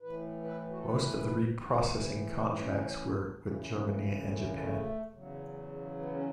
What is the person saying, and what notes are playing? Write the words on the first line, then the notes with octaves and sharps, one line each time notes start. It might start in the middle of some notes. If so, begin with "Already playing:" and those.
Most of the reprocessing contracts were with Germany and Japan.
A2 E3 B4
B4
F#4
A4
B4
A2 E3
B3
C#4
F#2 C#3 E3
A3
A3
E2 C#3 F#3
B3
C#4